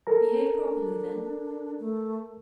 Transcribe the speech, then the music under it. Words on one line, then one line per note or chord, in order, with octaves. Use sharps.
'Behave properly, then.'
A4 A#4 A#5
D4
A3